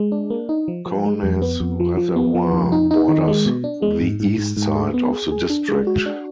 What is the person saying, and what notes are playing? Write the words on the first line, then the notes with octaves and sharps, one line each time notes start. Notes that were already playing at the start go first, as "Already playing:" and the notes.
Kaunas Reservoir borders the east side of the district.
Already playing: G#3
D4
A#3
D#4
F3
F3
G#3
F2
B3
F2
F3
F3
B3
F3
F2
D#4
D#4
D#3
G#3
B2
D4
G#3
G#2
G#2
G#2
G#2
G#4
B3
G#4
G#4
D4
G#3
F#4
D4